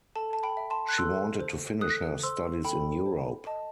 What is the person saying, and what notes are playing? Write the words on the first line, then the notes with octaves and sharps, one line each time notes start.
She wanted to finish her studies in Europe.
A4 A5
A5
G5 B5
E5
A5 C6
F#6
A4 C6 E6
C5
A4 D#6 F#6
C5 C6 E6
A4 G5 B5
C5
D#5 A5